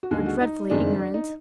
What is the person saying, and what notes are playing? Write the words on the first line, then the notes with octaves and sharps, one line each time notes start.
"You're dreadfully ignorant."
F#4
D#2 D3 G#3 G#4
F#4
D#4
F#1 F2 D#3 G#3 D4
D4
D#4